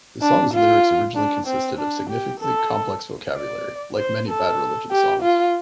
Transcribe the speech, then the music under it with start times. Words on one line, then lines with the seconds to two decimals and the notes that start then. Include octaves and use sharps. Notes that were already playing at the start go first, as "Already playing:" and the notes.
The song's lyrics originally consisted of significantly complex vocabulary, like many Bad Religion songs.
0.22 D4
0.53 F4
1.16 D4
1.47 C4
1.78 D4
2.10 G4
2.40 A4
3.35 D5
3.97 C5
4.28 A4
4.91 G4
5.22 F4